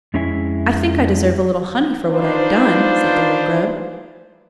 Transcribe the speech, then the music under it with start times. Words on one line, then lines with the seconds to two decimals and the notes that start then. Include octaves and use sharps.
"I think I deserve a little honey for what I have done," said the little Grub.
0.14 F2 G#3 C#4 E4 E5 G#5
2.10 D4 D#4 F4 B4 C5